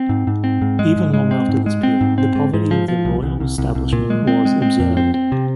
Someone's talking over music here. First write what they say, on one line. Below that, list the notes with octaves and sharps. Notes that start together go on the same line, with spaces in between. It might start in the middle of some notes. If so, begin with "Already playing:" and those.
Even long after this period, the poverty of the royal establishment was observed.
Already playing: C4
G#2
G#2
C4
G#2
G#3
G#2
G#3
C4
G#2
G#3
C4
G#2
C4
G#2
G#2
F3
F3
C2
C2
C2
C2
C2
A#2
G#3
C4
G#3
C4
F2
C4
C4
C3